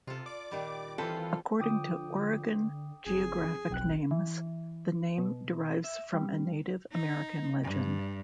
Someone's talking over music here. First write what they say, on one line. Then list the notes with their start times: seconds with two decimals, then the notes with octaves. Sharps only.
According to "Oregon Geographic Names", the name derives from a Native American legend.
0.07 C3 F4 A4
0.26 D5 D6
0.51 A#2 D#3 G3
0.98 E3 C4 F4 A4 B4 C5
1.60 D3 F3 G5 D6 D#6
3.06 F#1 F2 G#4
3.70 F1 B1 F2 G5 F#6
4.11 E3
5.18 B2
5.84 E5
6.14 G3
6.92 D#4
7.63 G2